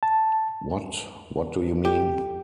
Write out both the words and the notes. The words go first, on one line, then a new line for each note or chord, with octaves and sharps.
What — what do you mean?
A5
G4